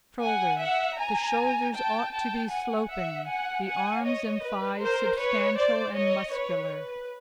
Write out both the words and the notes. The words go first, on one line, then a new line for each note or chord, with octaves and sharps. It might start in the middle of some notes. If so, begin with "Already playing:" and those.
SHOULDERS--The shoulders ought to be sloping, the arms and thighs substantial and muscular.
F#5 G#5
E5 F#5
G#5 A#5
G5 A5
G5 A5
F#5 G#5
E5 F#5
F#5 G#5
F#5 G#5
C#5 D#5
B4
A#4 C5
B4 C#5
C5 D5
C#5 D#5
B4 C#5
B4